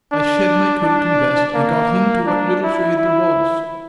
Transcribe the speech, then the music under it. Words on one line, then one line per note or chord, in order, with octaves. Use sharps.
I shed my coat and vest and got into what little shade there was.
D4
D4
A#3
D4
E4
E4